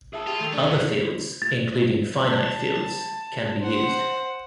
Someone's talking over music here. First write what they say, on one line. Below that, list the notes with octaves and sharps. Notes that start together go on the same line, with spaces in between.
Other fields, including finite fields, can be used.
G#4 E5 A5
F4 G4
D#3 A3
F3 C#4 D4 A4
G2 A4 F#5
A6
A5
C5 F#5